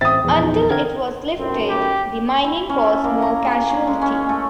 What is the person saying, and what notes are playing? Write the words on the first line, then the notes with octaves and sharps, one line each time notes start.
Until it was lifted, the mining caused no casualty.
A1 C4 E5 D#6 A6
A#1 E2
D#4
D3 C4 A#4 G#6
B1 F#2 A2 C4
G4
E4
C#4
A4
A#3
A#5
G#4
C#4
G#3
C#4
A3